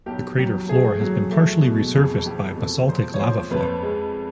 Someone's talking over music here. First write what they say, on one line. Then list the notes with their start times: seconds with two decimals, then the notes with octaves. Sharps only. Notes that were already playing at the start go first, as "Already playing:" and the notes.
The crater floor has been partially resurfaced by basaltic lava flow.
0.06 B1 G4
0.38 F#3 G4
0.69 A3 G#4
1.01 F#3
1.32 A3
1.63 B2
1.94 F2 G#4
2.26 F3 G4
2.57 F2 A4
2.88 F3 C5
3.14 C#5
3.19 F3 C5
3.51 F2 B4
3.82 G#3